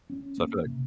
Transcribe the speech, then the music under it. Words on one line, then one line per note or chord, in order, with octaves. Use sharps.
so I feel like
C#4
A#3
C3